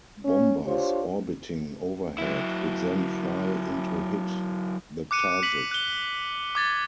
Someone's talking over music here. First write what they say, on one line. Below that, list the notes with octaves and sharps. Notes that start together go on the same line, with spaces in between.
Bombers orbiting overhead would then fly in to hit the target.
C#4
D4 F4 G4 C5 C#5
F#3 E4
D6 F#6 C#7 D#7
B6 F#7
F#6 G7
D6 G#6 A6